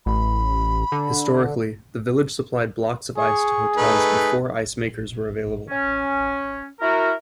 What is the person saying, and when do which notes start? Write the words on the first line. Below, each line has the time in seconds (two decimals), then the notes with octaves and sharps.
Historically, the village supplied blocks of ice to hotels before ice makers were available.
0.06 A1 B5
0.92 D3
3.18 G#4 C#6
3.77 A3 D#4 B4
5.70 C#4
6.81 E4 F#4 A#4